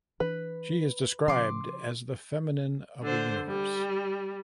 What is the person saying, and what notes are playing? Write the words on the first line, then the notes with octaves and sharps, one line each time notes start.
She is described as "the feminine of the universe".
E3 D4 B4
C#3 F3 C#4 C6 D6
D3 C5
G3